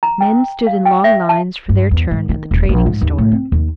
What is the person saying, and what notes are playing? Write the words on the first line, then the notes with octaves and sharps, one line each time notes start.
Men stood in long lines for their turn at the trading-store.
A#5
G5
F5
G5
E5
A5
G2
E2
G#2
D#3
D#1
A#1
G#2
D#2
A2
C4
D#2